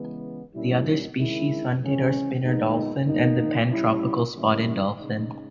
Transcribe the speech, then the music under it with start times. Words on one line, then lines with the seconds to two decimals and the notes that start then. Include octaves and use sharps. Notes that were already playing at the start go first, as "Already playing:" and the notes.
The other species hunted are Spinner Dolphin and the Pantropical Spotted Dolphin.
Already playing: C#3 E3 G#3 B3
0.54 A#2 G3 C#4 E4
1.17 D#3 G#3 C#4 E4
1.81 C#3 E3 G#3 C#4
2.44 A#2 G#3 B3 D#4
3.06 D#3 A#3 D#4
3.70 G3 C#4 E4
4.33 D#3 G3 A#3 C#4 E4
4.96 C#3 G#3 D#4